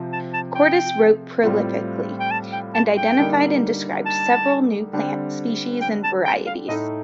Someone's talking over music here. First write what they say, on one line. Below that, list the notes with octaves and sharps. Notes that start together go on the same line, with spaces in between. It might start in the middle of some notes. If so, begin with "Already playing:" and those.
Cordus wrote prolifically, and identified and described several new plant species and varieties.
Already playing: C3 F3 C4
A5
A5
G5
A2 G3 C4 F4
G5
A5
G5
A5
G5
D3 G3 A#3 D#4
A5
D3 G3 C4
G5
A5
G5
F5
A2 A3 D#4 D#5